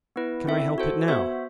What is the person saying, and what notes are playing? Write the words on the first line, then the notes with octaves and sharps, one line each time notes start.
"Can I help it now?"
B3 E4 B4
C4 E4 A4 E5
F#4 A4 C5
B3 F#4 C5 E5